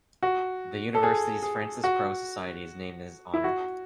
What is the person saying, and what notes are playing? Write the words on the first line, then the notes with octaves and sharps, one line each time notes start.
The University's Francis Crowe Society is named in his honor.
F#4
A4
G#4
G#4
F#4
E4
F#4